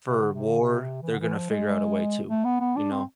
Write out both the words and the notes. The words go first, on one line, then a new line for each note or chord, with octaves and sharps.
for war, they're gonna figure out a way to. You know?
C3
D3
C3
D3
C3
E3
D3
E3
F3
G#3
A3
B3
B3
D4
C4